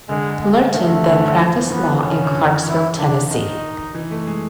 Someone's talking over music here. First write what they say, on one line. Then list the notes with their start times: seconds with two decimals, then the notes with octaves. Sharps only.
Lurton then practiced law in Clarksville, Tennessee.
0.09 D3 G#3
0.41 G#3
0.74 D#3 A3
0.89 D3
1.06 D3
1.38 F3
1.54 E3
1.70 D#3 B3
2.02 D3 C#4
2.13 C#3
2.24 D3
2.34 E3
2.66 E3 E4
2.98 D3 D4
3.31 D#3 D#4
3.95 E3
4.11 A3
4.27 G#3